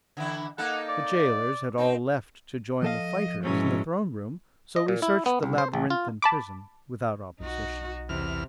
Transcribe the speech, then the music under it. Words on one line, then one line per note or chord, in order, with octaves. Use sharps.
The jailers had all left to join the fighters in the throne room, so we searched the labyrinthine prison without opposition.
D3 E3 E4
A#3 D#4 A4 F#5
D5
C4 D#4
F3 A4 D#5 F5
G#2 B2 E3 F#3 G#3 C#4
D#5
A#2
E4
B3
C2
C5
A1
F4
A5 B5 D6
B1 D#4 F#4
E2 C3 F6